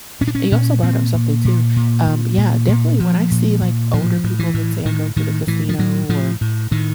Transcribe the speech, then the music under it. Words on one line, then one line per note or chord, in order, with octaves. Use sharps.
And you also brought up something too. Um, yeah, definitely, when I see, like, older people, let's say I go to the casino or
A#2 C#4
D4
C#4
A#2 C#4
A#2 C4
A#2
A#2
A#2
A#2
A#2
A#2
A#2 F3
A#2
A#2
A2 F3
A2
E3
A2
A2 D#3
A2 D#3
A2 E3
F3
A2 F#3
A2 F3
A2
A2 D#3